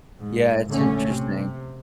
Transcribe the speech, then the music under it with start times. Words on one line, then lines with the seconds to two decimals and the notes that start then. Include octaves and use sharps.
Yeah, it's interesting.
0.18 G#2
0.68 A#1 D3 A3 C#4
1.09 C3